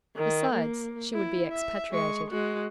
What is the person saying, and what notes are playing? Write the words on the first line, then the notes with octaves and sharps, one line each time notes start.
Besides, she would be expatriated.'
D#3
A#3
E4
E5
G#3 C#6
G#3 F#4